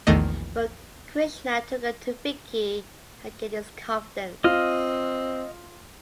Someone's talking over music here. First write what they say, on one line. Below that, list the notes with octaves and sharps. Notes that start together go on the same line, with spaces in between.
But Krishna took her to Vicky and gained his confidence.
A#1 E2 D#3 A3 D#5
C4 F4 D#5 F6